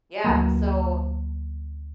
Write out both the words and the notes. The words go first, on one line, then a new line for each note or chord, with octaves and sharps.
Yeah. So
D2 F#3 A#3